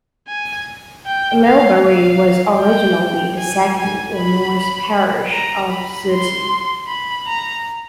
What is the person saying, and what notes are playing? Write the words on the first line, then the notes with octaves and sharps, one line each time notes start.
Millbury was originally the Second or North Parish of Sutton.
G#5
G5
F5
F5
G5
G#5
G#5
B5
A#5
B5
C6
B5
A#5